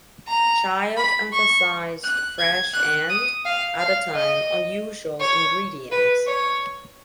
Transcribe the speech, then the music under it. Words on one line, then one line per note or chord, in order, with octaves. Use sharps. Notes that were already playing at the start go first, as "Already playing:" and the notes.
Child emphasized fresh and, at the time, unusual ingredients.
A#5
B5
C#6
F#6
G#6
F#6
D#6
F5
F5
D#5
C#5
B4
C#5